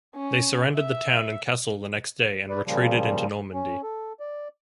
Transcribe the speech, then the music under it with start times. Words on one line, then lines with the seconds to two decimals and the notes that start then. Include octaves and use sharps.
They surrendered the town and castle the next day and retreated into Normandy.
0.15 C#4
0.75 E5
2.49 B4 D5
2.66 A#2 C#3 F3 G3
3.54 C#4
3.83 A4
4.20 D5